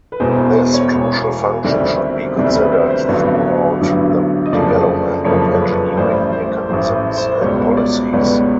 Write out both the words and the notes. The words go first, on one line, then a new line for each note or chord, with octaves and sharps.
This crucial function should be considered throughout the development of engineering mechanisms and policies.
B4
E1 E2 B2 C5
C5
C5
C#5
E1 E2 B2
D2 C3 D#3 G3 C4
D2 C3 D#3 G3 C4
B4
C5
C5
A1 G2 D3 F#3 B3 C#5
A1 G2 D3 F#3 B3
D#5
F#1 F2 C#3 F3 A3 D5
F#1 F2 C#3 F3 A3 C#5
B4
A1 A2 E3 G3 C5
C5
A1 A2 E3 G3 C5
C5
C#2 B2 G3 B3 C#5
D5
C#2 B2 G3 B3 C#5